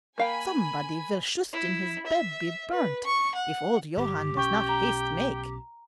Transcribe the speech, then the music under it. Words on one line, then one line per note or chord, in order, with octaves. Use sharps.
"Somebody vill shust in his bed be burnt, if old Johann does not haste make!"
A#3 F5 G5 G#5 B5
E4
E5
B4
C#6
F#5
G1 G4
B1 C#4 G5 C#6
A#5